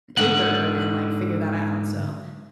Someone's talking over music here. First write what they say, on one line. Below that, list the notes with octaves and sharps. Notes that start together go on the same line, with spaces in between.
paper and, like, figure that out." So
G#2 D3 F#5